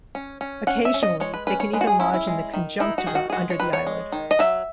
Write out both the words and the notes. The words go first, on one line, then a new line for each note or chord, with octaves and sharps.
Occasionally they can even lodge in the conjunctiva under the eyelid.
C#4
C#4
C#4 F#5
E5
C#4
D#5
G#3 C#5
B4
C#4 B4
C#5
G#3 B4
F#4
G#4
C#4 E4
E4
G#3
D#3
D#4 E4
F#4
D#3 G#4
F#4
G#4
G#3 F#4
C#5
D#3 B4
C#5
G#3
D#3
D#5
F#3 E5